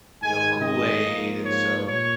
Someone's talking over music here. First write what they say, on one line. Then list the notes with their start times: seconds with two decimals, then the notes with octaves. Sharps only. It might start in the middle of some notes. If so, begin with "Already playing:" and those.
you know, Kool-Aid, and so,
0.22 G#2 D#3 G#3 G#5
0.62 D#5
1.04 G#2 F3 A#3
1.45 C#5
1.86 A#2 C#5